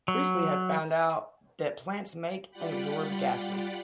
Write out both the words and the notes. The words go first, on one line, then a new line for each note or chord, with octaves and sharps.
Priestley had found out that plants make and absorb gases.
F#3
G3 F4 D5 F#5 G5 B5